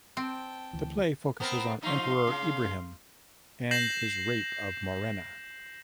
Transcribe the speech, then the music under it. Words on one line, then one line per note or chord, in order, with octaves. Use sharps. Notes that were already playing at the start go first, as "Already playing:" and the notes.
The play focuses on Emperor Ibrahim and his rape of Morena.
C4 G5 A5
D2 E3
B3 C4 A#4
F3 D#4 F5 C6
C#3
G6 A#6 C7 E7 F#7